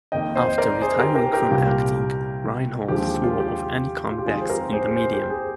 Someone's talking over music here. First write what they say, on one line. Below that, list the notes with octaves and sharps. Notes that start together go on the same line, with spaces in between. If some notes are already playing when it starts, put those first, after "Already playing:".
After retiring from acting Reinholt swore off any comebacks in the medium.
F2 D#3 A#3 D#5 G5
C5 D#5
C5
A#4 D5
G#4 C5
G4 A#4
G4 A#4
G4 A#4
C2 A#2 G3 A#3
D#2 D3 F3 G#3 G4
F4
G4
F4
G4
F2 D#3 G#3 F4 G#4
C5
G4 A#4
G#4 C5
G#4 C5
G4 A#4
G#4 C5